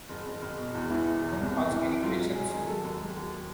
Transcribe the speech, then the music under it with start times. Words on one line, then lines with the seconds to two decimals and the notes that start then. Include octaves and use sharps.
Don’t ask any questions.
0.09 F#1
0.26 F#1
0.41 F#1
0.58 B2
0.74 E2
0.90 E3
1.07 E1
1.22 E2
1.39 C2
1.55 C3
1.71 E3
1.87 C2
2.03 F#3 F4
2.19 G#2
2.35 F#3 G#4
2.51 D#3 G#4
2.67 F#3 A4
2.84 D#2
2.99 F#3
3.16 D#2